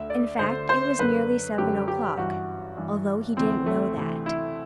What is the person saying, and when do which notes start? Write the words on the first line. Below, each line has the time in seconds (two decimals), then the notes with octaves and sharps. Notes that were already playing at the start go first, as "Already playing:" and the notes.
In fact, it was nearly seven o'clock, although he didn't know that.
Already playing: D2 D3 E5
0.10 D5
0.39 D2 D3 C5
0.69 C5
0.99 F#2 D3 B4
1.58 F#2 D3 G4
1.88 G4
2.17 G2 E3 F#4
2.77 G2 E3
3.36 D2 C3 E3 C4
3.66 A3
3.97 D2 C3 E3
4.26 E4